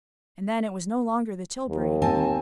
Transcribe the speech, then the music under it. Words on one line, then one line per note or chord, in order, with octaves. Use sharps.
And then, it was no longer the tilbury.
D#2
C4 G#5 A5